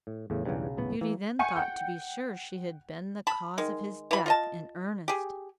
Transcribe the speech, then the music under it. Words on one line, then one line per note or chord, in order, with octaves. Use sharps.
Beauty then thought to be sure she had been the cause of his death in earnest.
A2
E2 A2 C#3
B1 E2 G2 C#3
D#1 A2 B3
E3 A#3
F#5 G#5 C#6 G6 C#7
F#5 G5 G6
A5 B5
D#3 G#3
E3 B5
F4 D#5 A5
G4 G#4